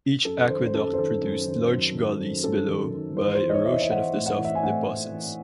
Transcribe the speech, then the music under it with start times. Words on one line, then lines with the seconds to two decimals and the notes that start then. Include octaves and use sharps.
Each aqueduct produced large gullies below by erosion of the soft deposits.
0.25 F#2 A4
0.49 D#3 C5
0.66 C5
0.74 F#2 A4
0.94 C5
0.98 D#3 A4
1.23 F#2
1.47 D#3
1.71 F#3
1.95 D#3
2.20 F#2
2.44 F#2 A4
2.68 D#3
2.93 D#3
3.17 E3 C5
3.35 C5
3.41 E3
3.50 D#5
3.53 C#5
3.65 E3 E5
3.72 D#5
3.82 E5
3.90 E3 F#5
4.14 A2
4.26 F#5
4.38 E3
4.45 E5
4.55 G#5
4.63 A2 F#5
4.88 A2
5.12 E3